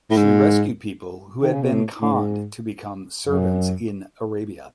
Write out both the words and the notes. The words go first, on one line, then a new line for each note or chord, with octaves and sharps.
She rescued people who had been conned to be come servants in Arabia.
A2
G#2
D#3
C#3
B2
A2
A2
G#2
F#2